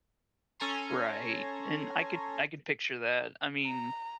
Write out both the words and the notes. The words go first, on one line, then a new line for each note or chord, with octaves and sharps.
Right, and I could I could picture that. I mean,
C#4 A4 G#5 A#5 C6
A#5